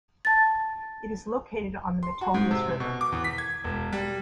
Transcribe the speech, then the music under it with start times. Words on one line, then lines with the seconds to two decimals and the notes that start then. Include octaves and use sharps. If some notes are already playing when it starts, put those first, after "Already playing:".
It is located on the Metolius River.
0.25 A5 A6
2.03 C6
2.21 F#4
2.34 G#2
2.51 C3
2.80 B2
3.01 D6
3.12 E2
3.24 B6
3.38 G#6
3.64 E1
3.93 G3